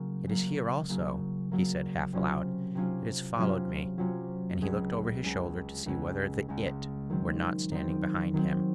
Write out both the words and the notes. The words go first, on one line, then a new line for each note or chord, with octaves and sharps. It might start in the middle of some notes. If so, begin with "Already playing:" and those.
"It is here also!" he said half aloud. "It has followed me," and he looked over his shoulder to see whether the It were not standing behind him.
Already playing: C#3 F#3 A#3
C#3 F#3 A#3
C#3 F#3 A#3
C#3 F#3 A#3
C3 F#3 C#4 F4
C3 F#3 C#4 F4
C3 F#3 C#4 F4
C3 F#3 C#4 F4
C#2 C#3 G#3 C#4
C#2 C#3 G#3 C#4
C#2 C#3 G#3 C#4
C#2 C#3 G#3 C#4
D#3 F#3 C4
D#3 F#3 C4
D#3 F#3 C4